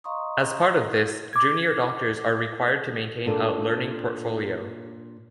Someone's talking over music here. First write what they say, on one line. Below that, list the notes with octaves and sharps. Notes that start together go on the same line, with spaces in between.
As part of this junior doctors are required to maintain a "learning portfolio".
D#5 F5 A#5 C6 C#6 D#6
D6 G#6
A#2 D4 A4